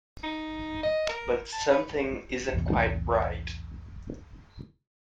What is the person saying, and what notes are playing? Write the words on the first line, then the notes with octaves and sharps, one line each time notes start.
But something isn't quite right.
D#4
D#5
A#4
A5
B4
B1 E2 A2 C3